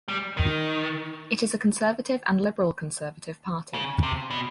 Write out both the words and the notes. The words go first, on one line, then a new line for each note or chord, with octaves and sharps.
It is a conservative and liberal conservative party.
G3
D#3
C#3
C3
B2